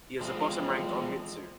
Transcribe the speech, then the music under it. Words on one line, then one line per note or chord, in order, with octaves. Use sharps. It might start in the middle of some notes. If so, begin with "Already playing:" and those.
He is a bottom-ranked onmitsu.
E2 F3 G#3 C4